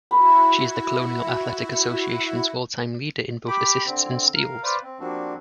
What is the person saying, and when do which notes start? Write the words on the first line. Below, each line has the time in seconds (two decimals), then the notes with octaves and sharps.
She is the Colonial Athletic Association's all-time leader in both assists and steals.
0.11 E4 F#4 B5
3.48 G4 B5 D6
3.86 D3 C4
4.34 A#4 F5
4.63 B4 C5 D5 F5
4.83 C4
5.00 F3 G3 A#3 C4 D4 F#4